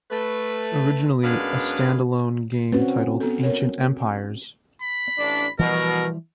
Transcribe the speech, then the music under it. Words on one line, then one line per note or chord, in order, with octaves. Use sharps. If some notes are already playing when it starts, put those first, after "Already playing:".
Originally a stand-alone game titled Ancient Empires!
A3 B4
F#2 G#3 B3 D4 B4 F5
C4 C#4 F#4 B4
B3 A4
A#4 C#5
B5
A1 D4
B2 E3 F3 G3 A#4